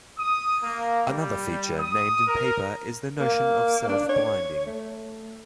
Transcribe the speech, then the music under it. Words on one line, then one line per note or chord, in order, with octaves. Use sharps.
Another feature named in paper is the notion of self-blinding.
D#6
A#3
G3
D#6
A#4
A#3
D4
C#5
A3